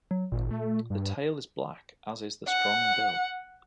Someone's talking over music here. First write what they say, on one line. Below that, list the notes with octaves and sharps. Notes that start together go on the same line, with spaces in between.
The tail is black, as is the strong bill.
F#3
G#1 A#2
A3
G2
F#5